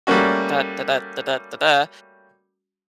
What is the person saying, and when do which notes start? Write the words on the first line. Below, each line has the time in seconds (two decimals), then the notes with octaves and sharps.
,"dah, da dah, da dah, da dah,"
0.07 G3 A3 A#3 C#4 F#4